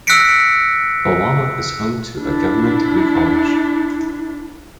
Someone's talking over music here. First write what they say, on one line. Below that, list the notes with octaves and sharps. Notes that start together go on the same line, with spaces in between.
Pulwama is home to a Government Degree College.
E6 F#6 A#6 B6 C#7 D7
D4 E4